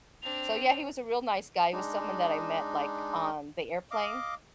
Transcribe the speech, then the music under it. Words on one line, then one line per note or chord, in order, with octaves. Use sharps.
So yeah, he was a real nice guy, he was someone that I met, like, on the airplane,
C4 D4 F7
G#3 D4 D#4
D#5 F5 D6